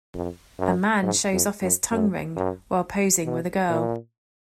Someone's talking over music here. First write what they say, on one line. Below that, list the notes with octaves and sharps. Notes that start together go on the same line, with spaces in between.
A man shows off his tongue ring while posing with a girl.
F2
F#2
G#2
F2
F#2
F#2
F#2
B2
A#2